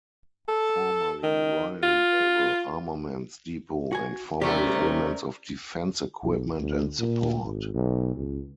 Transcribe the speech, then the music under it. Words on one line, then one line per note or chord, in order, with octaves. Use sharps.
Formerly Royal Naval Armaments Depot and formally elements of Defence Equipment and Support.
A4
D#3
F4
F#4 G#5
C3 G3 A3 C#4 G4 A#4
B1
D2
A#2
G#1
B1
C#2